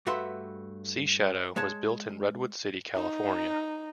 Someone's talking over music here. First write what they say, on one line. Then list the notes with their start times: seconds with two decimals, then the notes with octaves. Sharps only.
"Sea Shadow" was built in Redwood City, California.
0.07 G2 A3 F#4 B4 E5 C6
1.56 G#3 C#5 A5
2.96 D#4